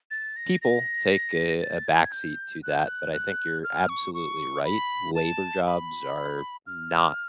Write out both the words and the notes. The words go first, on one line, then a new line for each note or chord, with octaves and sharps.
people take a a backseat to that, but I think you're absolutely right, labor jobs are not
A6
A#6
A#6
A6
G#6
G6
F#6
G6
F#6
F#6
F6
C#6
C#6
B5
A5
B5
F6